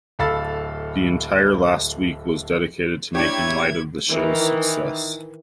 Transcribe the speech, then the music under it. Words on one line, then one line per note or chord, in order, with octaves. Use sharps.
The entire last week was dedicated to making light of the show's "success".
D1 A4 F5 B5 E6 A6
A#3 D4 E4 G4 C#5 E5 G#6
D#3 E3